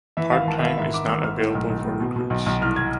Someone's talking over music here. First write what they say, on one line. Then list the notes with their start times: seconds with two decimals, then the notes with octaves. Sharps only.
Part-time is not available for recruits.
0.17 E3 E5
0.31 G#1 F5
0.47 G#1 A5
0.58 E5
0.62 E3 F5
0.78 G#2 E5
0.93 G#1 D6
1.08 G#1 E6
1.24 G#1 F6
1.40 A2
1.55 B1
1.70 B1
1.85 A2
2.00 B2
2.16 B2
2.30 B1
2.46 B1
2.61 C2 F6
2.76 G#6